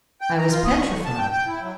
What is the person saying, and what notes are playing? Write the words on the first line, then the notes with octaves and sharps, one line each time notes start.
I was petrified.
G5
A#5
F4
D#6
C#6
D3
A5
G5
G5
E4
F#3